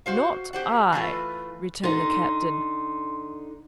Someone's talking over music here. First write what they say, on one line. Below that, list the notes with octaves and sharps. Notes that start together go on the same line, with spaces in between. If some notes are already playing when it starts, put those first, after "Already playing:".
"Not I," returned the captain.
F#4 C5 F5
G4 C5 F#5
E3 A3 F4 B4
D3 D#4 C6